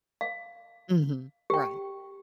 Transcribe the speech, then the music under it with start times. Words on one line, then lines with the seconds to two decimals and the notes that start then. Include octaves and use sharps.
Mhm, right.
0.21 F5
1.50 G4 G5